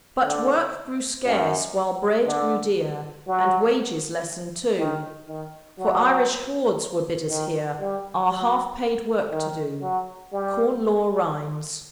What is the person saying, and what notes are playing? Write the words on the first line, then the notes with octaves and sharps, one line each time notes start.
'But work grew scarce, while bread grew dear, And wages lessened, too; For Irish hordes were bidders here, Our half-paid work to do.' CORN LAW RHYMES.
D3
F#2
D3
F#3
D#3
D#3
F#3
D#3
G3
F#3
D#3
F#3
G3